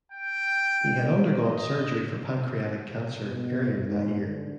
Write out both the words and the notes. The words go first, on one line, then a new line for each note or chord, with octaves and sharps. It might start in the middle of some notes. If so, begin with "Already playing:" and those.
He had undergone surgery for pancreatic cancer earlier that year.
G5
D#5
B2
G#2
D3